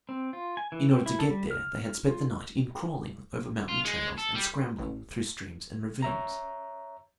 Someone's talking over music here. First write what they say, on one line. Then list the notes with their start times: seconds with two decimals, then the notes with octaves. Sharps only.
In order to get there they had spent the night in crawling over mountain trails and scrambling through streams and ravines.
0.09 C4
0.33 F4
0.57 G#5
0.72 E3
0.89 C4
1.06 E4
1.19 A4
1.30 G3
1.51 F6
2.08 F4
3.69 F4
3.85 G#3
4.18 A4
4.34 G3
4.79 A1
6.02 C#5 E5 A#5